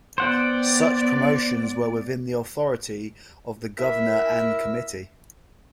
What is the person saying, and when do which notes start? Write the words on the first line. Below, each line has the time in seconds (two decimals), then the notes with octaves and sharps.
Such promotions were within the authority of the Governor and Committee.
0.18 B3 C5 D5 F#5 G5
3.78 E4 A#4 E5